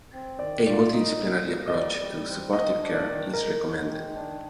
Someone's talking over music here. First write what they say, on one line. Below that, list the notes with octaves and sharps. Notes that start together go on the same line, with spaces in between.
A multidisciplinary approach to supportive care is recommended.
C4
D#3 D5
F4 D5
D#4 D#5
G3
A#3
D#5
G3 D5
G3
C4
D#3 D#5
D4
D5
D#3
G#3 A#4
G#3
D#3
D4